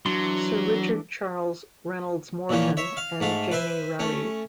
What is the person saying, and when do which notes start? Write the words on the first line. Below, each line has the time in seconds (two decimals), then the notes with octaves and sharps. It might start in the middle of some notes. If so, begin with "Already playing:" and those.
Sir Richard Charles Reynolds-Moreton and Janie Ralli.
0.06 E3 F#3 D4 C6
2.49 A#2 E3 F3 A#3 C#4
2.77 C#5 E5
2.97 F5
3.20 G#2 A3 F5
3.51 B4 C5 E5 G#5
3.99 A3 C#4